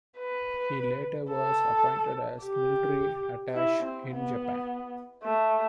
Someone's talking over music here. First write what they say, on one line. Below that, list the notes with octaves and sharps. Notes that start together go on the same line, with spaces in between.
He later was appointed as Military Attache in Japan.
B4
A4
G4
E4
C4
B3
A3